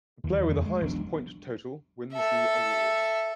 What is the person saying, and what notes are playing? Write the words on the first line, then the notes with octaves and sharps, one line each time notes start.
The player with the highest point total wins the award.
D#2 E3
F2 D#3 G#3 A3
G#3
E1 B1 D4
A4 E5